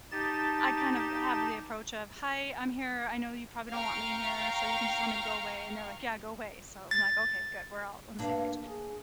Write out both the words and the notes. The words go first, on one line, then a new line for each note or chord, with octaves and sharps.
I kind of have the approach of, "Hi, I'm here, I know you probably don't want me here, so you can just tell me to go away," and they're, like, "Yeah, go away." So, I'm, like, "Okay, good," we're all on the same page,
D#4 G4 A5 A6
F5 G5 A#5 C#6 F6
A6
G2 A#3 D4
G#4